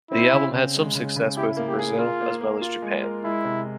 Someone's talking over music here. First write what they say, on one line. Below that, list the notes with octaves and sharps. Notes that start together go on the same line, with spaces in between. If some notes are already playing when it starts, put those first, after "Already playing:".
The album had some success both in Brazil as well as Japan.
C4 E4
C#3
C#3
G#3
C#3
C#3
E4 G4
A#3
G4
G#4
F4 A#4
A#3
A#3
F4
G#3
A#4
G#3 E4
C3